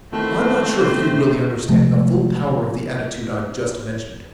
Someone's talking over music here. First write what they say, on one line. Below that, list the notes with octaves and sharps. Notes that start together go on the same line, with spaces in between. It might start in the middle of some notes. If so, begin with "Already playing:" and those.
I'm not sure if you really understand the full power of the attitude I've just mentioned.
D#3 A3 B3 C4 E4 F#4 C5
C3 F3 G#3 A3